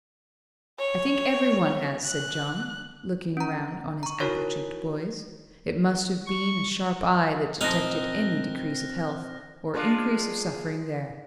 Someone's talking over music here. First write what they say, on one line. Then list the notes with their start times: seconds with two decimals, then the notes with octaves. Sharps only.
"I think every one has," said John, looking round on his apple-cheeked boys; it must have been a sharp eye that detected any decrease of health, or increase of suffering, there.
0.79 C#5
2.06 F#6
3.37 C#4 A#5
4.03 A#5 C#6
4.20 D#4 E4 F#4 A#4 C#5
6.26 C#6
7.61 A#2 F3 C4 D#4 F6 F#6 A#6
9.74 G#3 D4 F4